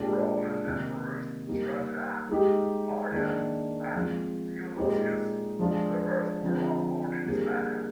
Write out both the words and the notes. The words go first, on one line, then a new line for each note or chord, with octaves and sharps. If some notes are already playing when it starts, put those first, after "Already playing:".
Roman emperors Trajan, Hadrian, and Theodosius the First were all born in Hispania.
Already playing: A#2 G#3 D4 G4
C3 D#3 A#3
G3 A#3 D#4 G4
G#3 D#4 G4
D#3 A#3 D4 G#4
F3 G#3 C4 F4
A#2 G#3 D#4 G4
F3 G#3 D4 F4 G#4
D3 F3 C4 F4 G#4
G3 A#3 D4 G#4